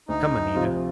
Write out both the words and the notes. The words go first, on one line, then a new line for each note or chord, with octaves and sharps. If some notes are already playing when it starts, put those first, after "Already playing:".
"Come, Anita."
D2 D#4
C3 F3 C4 F4